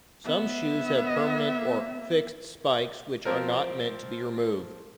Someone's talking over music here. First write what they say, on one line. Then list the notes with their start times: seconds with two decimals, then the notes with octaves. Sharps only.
Some shoes have permanent or "fixed" spikes which are not meant to be removed.
0.24 B3 E5
3.25 F3 C4 A#4